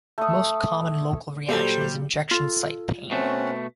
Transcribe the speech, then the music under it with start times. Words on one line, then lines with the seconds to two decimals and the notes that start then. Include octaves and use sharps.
The most common local reaction is injection site pain.
0.18 A3 D#6
1.49 A#2 F#3 G3 G4 A4 C5
2.31 F4 A4
3.11 B2 A3 C4 C#4 F#5